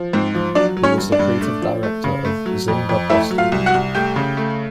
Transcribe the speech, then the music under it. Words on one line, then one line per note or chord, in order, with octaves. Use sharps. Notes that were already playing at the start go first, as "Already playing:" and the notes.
He was the creative director of Zynga Boston.
Already playing: F3
G#2 C4 C5
F3
F#3 D4 D5
F#3
C#4 C#5
G2
D4 D5
G2
A3
F3
A3
C#3
A3
F#3
F2
F2
A3 E4 E5
F#3
F4 F5
C2
F#4 F#5
C2
A3 G4 G5
C#3
A3